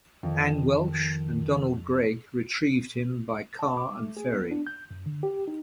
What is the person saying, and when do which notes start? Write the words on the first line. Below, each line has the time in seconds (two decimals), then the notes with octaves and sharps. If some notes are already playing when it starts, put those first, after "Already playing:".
Ann Welch and Donald Greig retrieved him by car and ferry.
0.23 F2 D#3
3.59 A5
3.77 D6
4.00 A3
4.17 G#4
4.33 B3
4.51 D4
4.67 G6
4.91 F#2
5.06 D3
5.23 G4
5.48 D#4